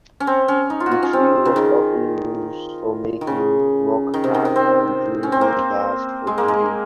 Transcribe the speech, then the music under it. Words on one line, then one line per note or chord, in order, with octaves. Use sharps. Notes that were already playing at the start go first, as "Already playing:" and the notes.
The tree was often used for making rock-hard and durable bars for building.
C#4
C4
C#4
D#4
F4
F#4
F4
C#4
C4
C#3
D#3
D#3
C#3
D#3
C3
D#3
D#3
C4
C#4
C4
A#3
G#3
A#3
G#3